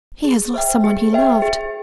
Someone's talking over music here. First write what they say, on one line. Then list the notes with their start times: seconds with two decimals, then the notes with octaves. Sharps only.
'He has lost someone he loved.
0.24 G#4
0.54 C5 E5 G5
0.84 G#4
1.13 C5 E5 G5
1.42 G#4